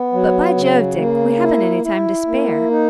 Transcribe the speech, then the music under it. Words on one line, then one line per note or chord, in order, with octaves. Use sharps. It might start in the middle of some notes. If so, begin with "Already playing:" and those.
But, by Jove, Dick, we hadn't any time to spare.
Already playing: B3
F#3
C#3
A#3
E4
E4
A#3
D#4